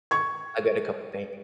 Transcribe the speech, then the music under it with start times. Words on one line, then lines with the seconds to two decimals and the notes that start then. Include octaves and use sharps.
I've got a couple of paintings,
0.11 C#6 G#6